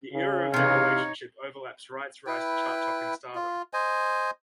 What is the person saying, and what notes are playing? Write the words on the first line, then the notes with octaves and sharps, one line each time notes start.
The era of their relationship overlaps Wright's rise to chart-topping stardom.
C#3
C3 E3 D#4 C#5 F5
E4 B4 G5
F4
C5 D#5 G#5